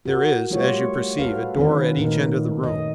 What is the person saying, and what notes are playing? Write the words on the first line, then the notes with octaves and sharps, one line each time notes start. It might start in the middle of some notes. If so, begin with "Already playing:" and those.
There is--as you perceive--a door at each end of the room.
F#4 A#4
G3 A3 F4 G4 C#5
F#4 A4 B4 F5
D#3 C4 C#4 B4
A#2 A3 D#4 A#4
D#5